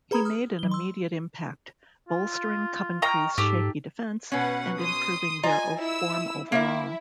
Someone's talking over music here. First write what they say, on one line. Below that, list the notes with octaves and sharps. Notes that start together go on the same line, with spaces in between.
He made an immediate impact, bolstering Coventry's shaky defence and improving their form overall.
G#4 B4 A#5 B5 D#6 G#6
D#6 F6
F#3 G7
C6 E6
F4
D#5 G5 A#5 C#6 F6
G#2 D#4 G4 A4
B2 C#4 B4 F#5
C6 D#6
F4 D#5 G#5 A#5
E4 E6
A#3 E4 A#4 E5